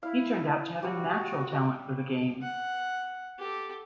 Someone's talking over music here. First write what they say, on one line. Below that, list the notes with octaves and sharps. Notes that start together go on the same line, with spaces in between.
He turned out to have a natural talent for the game.
E4 F5
G3 F#4 C#5 C#6
F#5
G4 A4